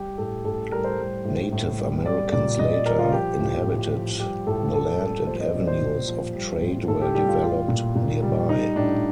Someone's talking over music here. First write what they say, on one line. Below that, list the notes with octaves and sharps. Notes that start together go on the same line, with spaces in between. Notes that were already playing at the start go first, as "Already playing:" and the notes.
Native Americans later inhabited the land and avenues of trade were developed nearby.
Already playing: G3 G4
A2 A4
A2 A4
G3 A#4
C5
G3
A2
A2
G3
G3 D5
A#2 D5
A#2 D#5
D5
G3 A#4
F4
F3 G4
A2
A2
F3
G3 G4
A2 A4
A2 A4
G3
F3 C5
D#5
A#2 D5
C5
A#2
F3
G3
A2
A2 A4
G4
G3 G4
F4
G3 F4
A#2
A#2
G3
G3 D#4
A2 D4